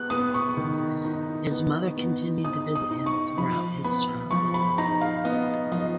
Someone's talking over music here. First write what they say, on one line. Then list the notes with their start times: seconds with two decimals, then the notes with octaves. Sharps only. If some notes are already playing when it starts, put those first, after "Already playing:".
His mother continued to visit him throughout his childhood.
Already playing: B3 F#6
0.10 B3 D#6
0.34 C#6
0.57 D#3
1.05 D#4
1.51 B3
1.97 B3
2.44 D#4 D#6
2.75 D#6
2.91 D#4
3.06 C#6
3.37 F3 B5
3.84 B3 B5
4.31 F3 C#6
4.54 B5
4.78 D#4 A#5
5.01 F5
5.25 B3 D#5
5.71 F3 D#5